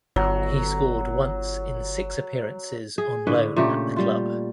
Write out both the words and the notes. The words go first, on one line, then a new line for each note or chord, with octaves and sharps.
He scored once in six appearances on loan at the club.
G1 F#3
G#4
A2 D3 B4
A#2 C#3 A3 G4
G3 F4